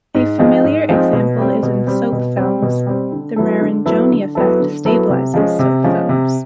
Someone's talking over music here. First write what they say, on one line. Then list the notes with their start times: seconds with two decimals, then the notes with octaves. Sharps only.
A familiar example is in soap films: the Marangoni effect "stabilizes" soap films.
0.15 G#2
0.38 F3 G#3 C4 D#4
0.64 G#2
0.89 F3 G#3 C4 D#4
1.13 B2
1.38 G3 C4
1.63 B2
1.87 G3 C4
2.12 B2
2.37 G3 C4
2.62 B2
2.86 G3 C4
3.12 D3
3.36 F#3 B3 E4 A4
3.61 D3
3.86 F#3 B3 E4 A4
4.11 D3
4.35 F#3 B3 E4 A4
4.59 D3
4.85 F#3 B3 E4 A4
5.10 C3
5.34 F3 G#3 C#4
5.59 C3
5.84 F3 G#3 C#4
6.09 C3